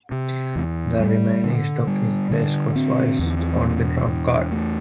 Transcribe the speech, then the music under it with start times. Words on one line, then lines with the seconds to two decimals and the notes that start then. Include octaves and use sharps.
The remaining stock is placed crosswise on the trump card.
0.12 C3
0.56 E2
1.00 G3
1.44 D3
1.87 G3
2.31 D3
2.76 C4
3.19 E2
3.63 B2
4.07 E2
4.51 A3